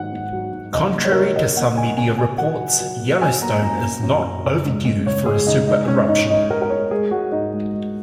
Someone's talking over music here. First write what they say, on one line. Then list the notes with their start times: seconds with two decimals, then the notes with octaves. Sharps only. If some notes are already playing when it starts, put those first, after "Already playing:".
Contrary to some media reports, Yellowstone is not 'overdue' for a supereruption.
Already playing: G#2 D#3 F#3 F#5
0.13 G#2
0.33 F#3
0.53 G#2
0.73 C#3 D#5
0.94 A#3
1.05 C#5
1.12 A#4
1.16 C#3 C#5
1.36 C#3 D#5
1.56 A#3 F#5
1.77 A#3 G#5
1.97 C#3 G#5
2.18 C#3 G#5
2.38 F#3 F#5
2.59 F#3
2.80 F#3
3.00 A#3
3.20 F#3 G#5
3.41 A#3 A#5
3.62 F#2 A#5
3.83 A#3
4.03 F#2
4.24 F#2
4.45 C#3
4.65 G#3
4.85 G#3
5.06 C#3 C#5
5.26 G#3 G#4
5.47 C#3 D#4
5.67 G#3 D#4
5.88 G#3 C#4
6.08 G#2 D#4
6.29 G#3 D#4
6.50 G#3 A#4
6.62 A#4
6.70 G#3 C#5
6.91 G#3 G#4
7.11 G#3 F#4
7.32 G#2 D#4
7.54 G#3
7.74 G#3